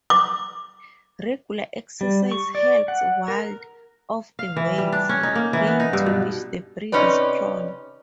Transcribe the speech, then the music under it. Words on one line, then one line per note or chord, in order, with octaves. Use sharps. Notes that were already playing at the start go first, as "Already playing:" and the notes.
Regular exercise helps ward off the weight gain to which the breed is prone.
D6
G3
C#6
D5
F#5
A#4
F5
E3
G3
D4
C#4
D#4
A#3
E3
B3
D#4
G2
B2
C3 C#4 D#4 B4 D5